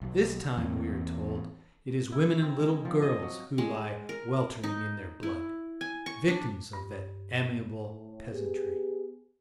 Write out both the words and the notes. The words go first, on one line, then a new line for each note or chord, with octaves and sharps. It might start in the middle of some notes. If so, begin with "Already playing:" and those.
This time, we are told, it is women and little girls who lie weltering in their blood, victims of that amiable peasantry.
B1 F#3
E2 E3 A#3 C4
E4
C4
G#3
F3
D#5
F#3
G#3
A#4
D#4
E4
G#5
C#6
D4
G2
A2
B3 G4 G#4